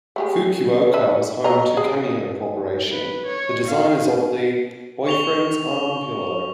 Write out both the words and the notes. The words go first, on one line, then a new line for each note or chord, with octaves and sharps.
Fukuoka was home to Kameo Corporation, the designers of the "Boyfriend's Arm Pillow".
A3 G4 G#4
B4 E5
F#3 D#5 A#5
G#4
B4
C#5
F5
C#6 F7 G7